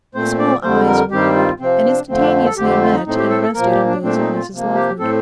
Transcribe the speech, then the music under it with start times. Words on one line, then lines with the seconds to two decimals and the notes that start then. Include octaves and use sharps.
His small eyes wandered, and instantaneously met and rested on those of Mrs Lawford.
0.15 A#2 A3 C4 C5
0.39 D5
0.63 F2 D3 G3 C5
0.87 A#4
1.11 G2 D#3 G3 C4 G4
1.36 F4
1.60 C3 F3 C4
1.84 D4
2.08 F2 D3 F3 A3 C4
2.20 D4
2.45 A4
2.57 F2 D3 A3 C4 G4
2.69 G4
2.81 F4
2.93 D#4
3.06 A2 A3 C4 D#4
3.18 G4
3.30 A4
3.42 A4
3.54 A#2 F3 A#3 A#4
3.70 G4
3.86 D4
4.03 A#2 A3 C4 D4
4.19 D#4
4.35 F4
4.51 C3 F3 A#3
4.75 G4
4.99 A2 A3 C4 A4